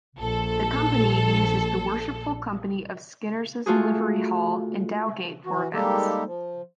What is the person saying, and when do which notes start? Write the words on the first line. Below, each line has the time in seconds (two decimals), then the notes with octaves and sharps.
The Company uses the Worshipful Company of Skinners' livery hall in Dowgate for events.
0.19 A#1 A4
3.66 A3 F4 F#4 G#4
5.46 E3 F#4
5.74 G3 G#3 A#3 D#4 G4 A4
6.25 F3